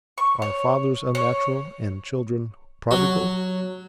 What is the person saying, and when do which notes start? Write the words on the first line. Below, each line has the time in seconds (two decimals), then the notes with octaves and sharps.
Are fathers unnatural, and children prodigal?
0.18 C#6
0.42 C#5
1.15 C#5
2.91 F#3